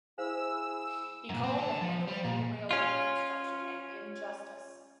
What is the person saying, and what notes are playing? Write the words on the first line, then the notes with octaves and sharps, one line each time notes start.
He called the handling of the rail line construction an injustice.
E4 G#4 C5 F5 E6
F#2 A#2
C4
D3 A5
F3
G3
A#2
C#4 F4